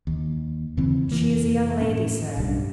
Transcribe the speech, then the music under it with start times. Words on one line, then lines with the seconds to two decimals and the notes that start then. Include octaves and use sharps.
"She is a young lady, sir."
0.07 D#2
0.77 E2 C#3 E3 C4
1.11 F1 E3 A#3
1.82 A2 C#4
2.37 B1 G2